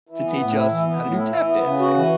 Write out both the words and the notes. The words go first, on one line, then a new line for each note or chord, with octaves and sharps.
to teach us how to do tap dancing,
E3
B3
A2
E4
E3
B3
A2
E4
E3
B3
C#3
F#4
E3